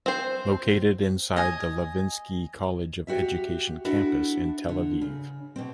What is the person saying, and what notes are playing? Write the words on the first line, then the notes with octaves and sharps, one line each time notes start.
Located inside the Levinsky College of Education campus in Tel Aviv.
C4 C5
D#5 G#5
F#4 G4 E5
D4 E4 F#4 A4
D3
C#3
B2 C4